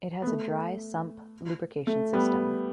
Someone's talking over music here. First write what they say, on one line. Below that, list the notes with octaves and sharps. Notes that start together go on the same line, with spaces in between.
It has a dry sump lubrication system.
B3
A3
A3
G3 B3